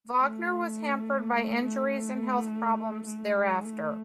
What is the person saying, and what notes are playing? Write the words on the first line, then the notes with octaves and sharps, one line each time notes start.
Wagner was hampered by injuries and health problems thereafter.
A3
A3
A3
A3
G#3
A3